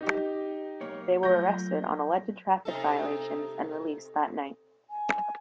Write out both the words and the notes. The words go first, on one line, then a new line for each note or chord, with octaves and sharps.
They were arrested on alleged traffic violations and released that night.
D#4 G4
B1 A#3 C#5
F#3 A3 F4 G6 A#6
C3 D#4 A4
G#5